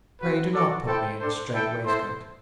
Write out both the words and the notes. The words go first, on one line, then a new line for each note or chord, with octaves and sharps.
Pray do not put me in a strait-waistcoat.
C4 F#4 B4
F#4 A4 D5
E4 A4 C5 G5
D4 A4 C5
E4 A4 E5 G5
B3 E4 A4 C5